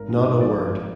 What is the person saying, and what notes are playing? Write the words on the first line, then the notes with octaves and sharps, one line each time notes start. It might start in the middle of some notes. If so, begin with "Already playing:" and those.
Not a word.
Already playing: G#1 A#4
G#2
G#1
F3 D5
G#1